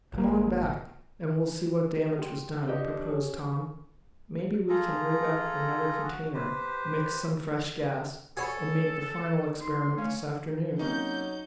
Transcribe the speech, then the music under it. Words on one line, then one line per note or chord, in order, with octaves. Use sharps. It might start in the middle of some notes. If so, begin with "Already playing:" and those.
"Come on back, and we'll see what damage was done," proposed Tom. "Maybe we can rig up another container, mix some fresh gas, and make the final experiment this afternoon."
G#1 A#3
G4 C6
D4 F4 G4 B4 D#5 C#6
C#4
F4 G#4 A4 A#5
F#4
G4 B4 C5
G#4 A4 C#5 F#5 B5
D#4 C6
A3 C#4 F5
C3 F#3 A#3 C#4 D#4 G6